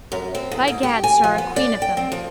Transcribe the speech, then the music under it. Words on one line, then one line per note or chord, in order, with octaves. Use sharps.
By gad, sir, a queen of them.
F#2
C4
E2
G#2
G4
G#5
F3
B3
D5
G5
C4
F3